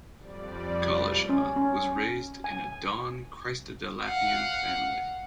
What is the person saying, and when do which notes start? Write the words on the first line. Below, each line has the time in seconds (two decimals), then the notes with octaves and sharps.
Collishaw was raised in a Dawn Christadelphian family.
0.18 F2 G3 D5
1.29 C#4
1.56 C#4
2.44 G#5
4.04 F5 F#5